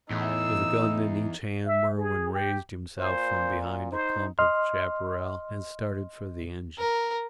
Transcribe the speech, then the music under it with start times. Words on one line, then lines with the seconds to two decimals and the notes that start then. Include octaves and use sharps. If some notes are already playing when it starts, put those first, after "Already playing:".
With a gun in each hand Merwin raised himself from behind a clump of chaparral and started for the engine.
0.11 E2 A2 D#4 E6
1.66 E5
1.98 G#4
2.33 G4
2.98 A#2 C5
3.92 D#4 C5
4.39 D#5 C6 F6
6.78 A#4